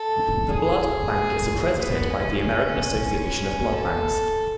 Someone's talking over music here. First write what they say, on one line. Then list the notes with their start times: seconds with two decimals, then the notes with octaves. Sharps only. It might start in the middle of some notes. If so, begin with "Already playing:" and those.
The blood bank is accredited by the American Association of Blood Banks.
Already playing: A4
0.50 G#4
1.79 B3
2.11 C#4
3.08 C#4
3.72 A4